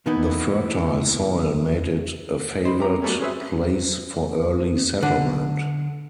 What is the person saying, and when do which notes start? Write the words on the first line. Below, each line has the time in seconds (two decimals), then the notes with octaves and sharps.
The fertile soil made it a favored place for early settlement.
0.06 B2 E3 A#3 B3 D#4 E4
2.63 D#4 C5 B5
2.79 C4 G4 A#5
3.02 F#3 G3 A3 B3 C#4
3.19 C#4 F#4 G#4 B4 C5 E5
5.03 D3